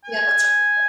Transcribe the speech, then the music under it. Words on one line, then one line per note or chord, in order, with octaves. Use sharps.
yeah, that's a good point.
G#5